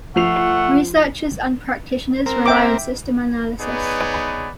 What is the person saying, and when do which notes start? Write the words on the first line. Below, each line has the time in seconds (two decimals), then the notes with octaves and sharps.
Researchers and practitioners rely on system analysis.
0.16 F3 A3 F#5 C7 F7
2.26 C4 A#4
2.46 E5 G5 D6
3.60 B3 D#4 G#4 B4 C#5 D5